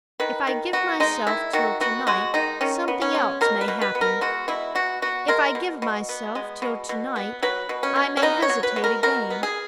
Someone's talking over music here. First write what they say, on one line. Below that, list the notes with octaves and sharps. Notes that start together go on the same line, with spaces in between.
If I give myself till to-night, something else may happen. If I give myself till to-night, I may hesitate again.
D#3 B4
D#3
B3 F#4
G#3 D#4
D#3 E4
D#3 F#4
B3 F#4
G#3 F#4
D#3 D#4
D#3 C#4
B3
C#4
G#3
B2 A#4
B4
B2
B4
B3
A#4
G#3 F#4
B2 E4
B2 F#4
B3 F#4
G#3 A#4
B2
B2
B3
G#3
B2
B2
B3
F#3 B4
B2
C#4
B2
C#4
B3 D#4
C#5
F#3
B4
B2
A#4
B2 A#4
B3
G#4